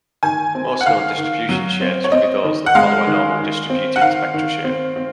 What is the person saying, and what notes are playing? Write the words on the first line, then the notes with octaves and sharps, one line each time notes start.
Most known distribution shapes would be those that follow a normal distributed spectra shape.
D#3 G#5
C4
F#5
D#3 F5
D#3
F#3
C4
C#5
C4 D#5
D#3
F#5
G#3 F5
D#3
D#3
C4
F#5
D#3 F5
D#3
C4
C4